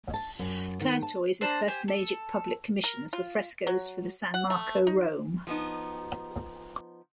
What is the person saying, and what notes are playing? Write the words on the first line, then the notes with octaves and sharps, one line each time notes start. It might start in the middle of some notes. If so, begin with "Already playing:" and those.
Courtois' first major public commissions were frescoes for the San Marco, Rome.
A5
F#2
D#3
A5
A#3 D4 C5
G4 C5 G#5
A4
A#4
F4
F#3
F#5
A3
D#4
F3 B3 D#4